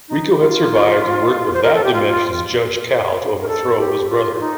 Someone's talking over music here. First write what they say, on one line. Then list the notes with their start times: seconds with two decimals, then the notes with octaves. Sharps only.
Rico had survived and worked with that dimension's Judge Cal to overthrow his brother.
0.08 D#4
0.32 G4
0.39 F4
1.53 C5
1.63 A#4
1.74 A4
1.84 G4
1.93 F4
3.41 A#4
3.47 A4
3.79 G4
4.09 F4
4.36 F4
4.40 D#4